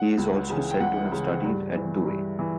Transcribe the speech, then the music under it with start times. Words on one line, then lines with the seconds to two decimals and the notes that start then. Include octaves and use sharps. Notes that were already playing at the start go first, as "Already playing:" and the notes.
He is also said to have studied at Douay.
Already playing: F#5
0.18 C#2
0.50 C#3 E3
0.71 G5
0.80 C#2 F#5
1.12 C#3 E3
1.44 G2
1.75 E3
2.06 G2
2.39 E3